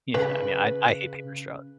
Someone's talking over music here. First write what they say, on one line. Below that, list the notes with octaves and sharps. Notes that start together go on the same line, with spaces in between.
Yeah, I mean, I I hate paper straws.
C#3 B4